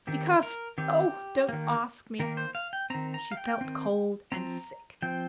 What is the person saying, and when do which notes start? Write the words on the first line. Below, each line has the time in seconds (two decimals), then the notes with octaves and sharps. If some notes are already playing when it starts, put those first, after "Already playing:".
"Because--oh, don't ask me." She felt cold and sick.
0.07 D#3 C4 G4
0.43 A#4
0.78 D#3 C4 G4
1.49 D#3 A#3
2.19 D#3 A#3 A#4
2.37 C5
2.55 F5
2.73 G5
2.90 D#3 C4 A#5
3.14 A#5
3.32 F5
3.37 G5
3.61 D#3 C4
4.32 F3 C4 A#5
5.02 F3 C4 G5